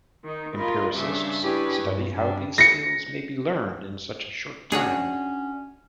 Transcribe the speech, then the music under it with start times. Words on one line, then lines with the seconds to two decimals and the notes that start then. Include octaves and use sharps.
Empiricists study how these skills may be learned in such a short time.
0.24 D#3 D#4
0.54 F4 A#4 D#5 B5
0.93 G2 C#3 D4 E5
1.42 D4 E4 G4 G#4 B4 C#5
1.82 G2
2.12 G2 G3 D4
2.58 A#6 C#7
4.72 C#4 D4 F#4 G#4 C#5 F#5